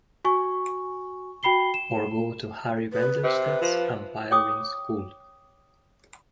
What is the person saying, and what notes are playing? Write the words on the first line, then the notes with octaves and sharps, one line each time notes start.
Or go to Harry Wendelstedt's umpiring school.
F#4 G#5 C#6
F#4 G5 B5 C7 G7
E7
B4
C3
B4
F3
C#5 G5 D6 D#6